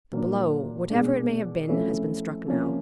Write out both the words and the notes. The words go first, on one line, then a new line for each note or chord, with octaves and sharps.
The blow--whatever it may have been--has been struck now.
A#2 F#3 A#3 D4
B2 G#3 B3 D4
C3 F3 A3 C#4 E4
C3 F3 A#3 C#4